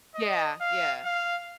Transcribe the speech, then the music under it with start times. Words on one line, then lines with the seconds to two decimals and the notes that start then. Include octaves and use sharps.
Yeah, yeah.
0.15 D#5
0.61 F5
1.05 F5